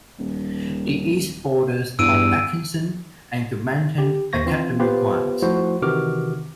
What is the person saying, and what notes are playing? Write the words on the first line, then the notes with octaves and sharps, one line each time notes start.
The east borders on Atkinson and Gilmanton Academy Grant.
D#1
E2 G2 E6 D7 D#7
G4
D#2 C5 C#6 A#6
E3 C4 F4
B3 F4 G4 B4 C5
F3 A3 E4 F#4 C5
C3 D#3 E3 F#4 D6 F6